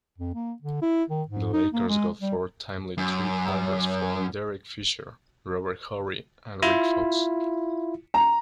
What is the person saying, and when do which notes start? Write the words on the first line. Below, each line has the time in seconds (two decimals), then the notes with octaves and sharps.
The Lakers got four timely three-pointers from Derek Fisher, Robert Horry, and Rick Fox.
0.18 F2
0.34 A#3
0.62 D3
0.82 E4
1.10 D#3
1.28 G#2
1.53 D#4
1.73 A#3
1.88 G#3
2.21 G3
2.98 F#2
6.62 E4 F4
8.14 A#5